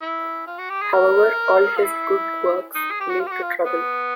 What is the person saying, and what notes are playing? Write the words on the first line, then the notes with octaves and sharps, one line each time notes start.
However, all his good works lead to trouble.
E4
F4
F#4
G4
G#4
A#4
F4
E4
D#4
G#4
G4
F#4
F4
G4
F#4
F4
B3